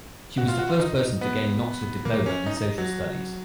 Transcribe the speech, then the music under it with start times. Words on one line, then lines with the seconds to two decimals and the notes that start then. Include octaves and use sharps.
She was the first person to gain an Oxford diploma in social studies.
0.38 F#4
0.48 F4
0.59 F#4
0.69 F4
0.79 D#4
1.21 B3
2.05 A#3
2.26 C#4
2.46 D#4
2.57 D#4
2.78 F#3